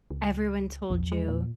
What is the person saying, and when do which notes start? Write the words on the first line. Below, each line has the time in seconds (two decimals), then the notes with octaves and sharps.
everyone told you,
0.10 C#2
0.90 A#1 E2 F3
1.12 G#3
1.28 A#2